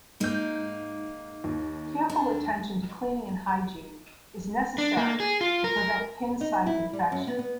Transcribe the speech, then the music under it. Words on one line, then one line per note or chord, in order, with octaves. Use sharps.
Careful attention to cleaning and hygiene is necessary to prevent pin site infection.
G#2 A#3 D#4 G6
D#2
D4
D4
A#3
G#4
F4
A#4
D#4
E4
G3
F#2
B3
B3